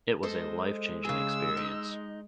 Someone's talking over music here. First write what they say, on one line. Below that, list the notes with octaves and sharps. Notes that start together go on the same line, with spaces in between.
It was a life changing experience.
G#3 A4 C5 D#5
C#3 G#4 E6
D#4